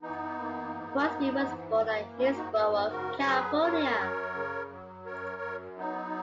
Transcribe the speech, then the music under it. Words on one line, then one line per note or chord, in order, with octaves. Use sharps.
Crosby was born at Hillsborough, California.
E3 B3 D#4
A#3
G#2
G#2
E3
A#3
G#2 C#4 E4
D#4 F#4
G#2 A#3
B3
C#3 F#4 A#4
C#5
F#3 G#4 B4
F#2 A#4 C#5
F#2
C#3
F#3
F#2 A#4 C#5
F#2
F#3 B3 D#4